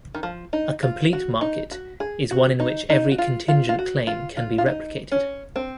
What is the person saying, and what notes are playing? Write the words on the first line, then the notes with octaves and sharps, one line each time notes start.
A complete market is one in which every contingent claim can be replicated.
D#3
F3
D#4
F4
F#4
D#4
F#4
G#4
F#4
D#4
D#4
F#4
F4
F4
F4
F#4
F4
F4
F4
D#4
C#4
C4